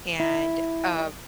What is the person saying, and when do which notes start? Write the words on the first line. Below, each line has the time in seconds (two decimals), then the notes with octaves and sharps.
And, uh
0.20 E4